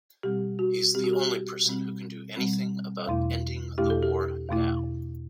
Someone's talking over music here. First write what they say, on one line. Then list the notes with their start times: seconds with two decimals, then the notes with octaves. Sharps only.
He's the only person who can do anything about ending the war now.
0.23 B2 G3 C4 G4
0.59 F#4
0.94 B2 G3 C4 G4
1.04 F#4
1.13 G4
1.65 B2 G3 C4
2.37 B2 G3 C4
3.07 E2 B2 A3 E4
3.78 E2 B2 A3 E4 G4
3.90 A4
4.03 G4
4.49 E2 B2 A3 E4